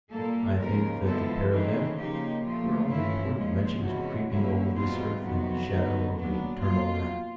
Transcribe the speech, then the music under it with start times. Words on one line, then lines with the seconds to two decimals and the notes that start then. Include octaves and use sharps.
I think that the pair of them were only poor wretches, creeping over this earth in the shadow of an eternal wrath.
0.11 A#2 G3 A#3 A4
0.58 D#2 C#3 F3 A#4
1.04 D3 F3 G#3 B3 E4 A4
1.51 C#3 E3 A3 C4 D#4 G#4
1.98 C#3 F3 A#3 D#4 G4
2.44 A#2 F3 A3 F4
2.91 G2 E3 A3 C#4 E4
3.37 A#2 F3 G#3 C#4
3.84 E2 C3 E3 G#3 C#4 F#4
4.30 D3 F#3 A#3 C#4 E4
4.76 E2 B2 G3 C4 F4
5.23 F2 C3 D#3 F#3 B3 F#4
5.70 D2 D3 F#3 B3 D#4
6.16 A#2 F#3 B3 D4
6.63 B2 F#3 A#3 F4